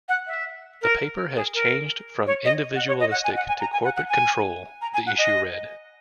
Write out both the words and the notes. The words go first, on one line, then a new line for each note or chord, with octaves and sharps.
The paper has changed from individualistic to corporate control, the issue read.
F#5
E5
A#4
G#4
A#4
C#5
D#5
F#5
C#5
D#5
F#5
G#5
F#5
G#5
A#5
G#5
F#5
F#5
G#5
A#5
G#5
F#5
D#5